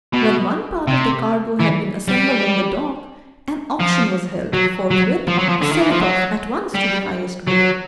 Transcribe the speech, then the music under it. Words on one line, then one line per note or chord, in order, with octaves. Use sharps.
When one part of the cargo had been assembled on the dock, an auction was held forthwith to sell it off at once to the highest bidder.
B2
C3
E3
G3
F3
F#3
F#3
F3
F#3
F3
D3
D#3
E3
F3
F#3
G3
F#3